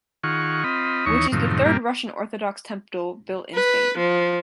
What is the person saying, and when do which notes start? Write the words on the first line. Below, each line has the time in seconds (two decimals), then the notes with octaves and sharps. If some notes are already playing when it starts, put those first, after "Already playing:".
Which is the third Russian Orthodox temple built in Spain.
0.24 D#3 F4 G#4 F#5 C#6
0.64 C4 F4 D#5 B5
1.06 D#2 E3 D#4 C#5 C#6
1.32 F#2 A2 C3 D#3 F3
1.65 G2 A#2 G3 A#3
3.54 B4
3.98 F3